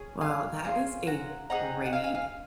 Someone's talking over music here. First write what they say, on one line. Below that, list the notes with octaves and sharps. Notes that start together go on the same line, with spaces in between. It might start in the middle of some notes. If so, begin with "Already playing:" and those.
Well, that is a great
Already playing: C#4 G#4
F5 G#5
C#4 F4 G#4
F#5 A#5
C4 D#4 G#4 F#5 A#5
F#5
F5 G#5
F5 G#5
F5 G#5